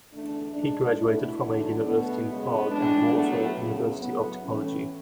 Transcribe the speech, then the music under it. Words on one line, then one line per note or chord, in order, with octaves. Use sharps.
He graduated from a university in Prague and the Warsaw University of Technology.
E2 D3 A3 D4
G#2 G#3 D4
B2 A3 E4
E2 D3 F#3 A3 D4
B2 A3 B3
F#2 C#3 G#3
A2 E3 G#3 D4
A2 F#3 A3 B3
E2 C#3 F#3 A3 B3
A2 F#3 A3 B3
A2 E3 A3 C#4